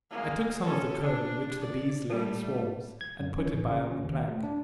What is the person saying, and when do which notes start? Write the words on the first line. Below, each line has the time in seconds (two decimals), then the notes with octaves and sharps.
I took some of the comb, in which the bees lay in swarms, and put it by on the plank.
0.11 G#3 A#3
0.63 C#4 A4
1.01 D4
1.61 D5
2.09 G3 A3
3.01 G#6
3.20 F#2
3.38 C#4
3.53 A1
3.71 C#3
3.91 C#4
4.03 D#2
4.29 A3
4.43 D4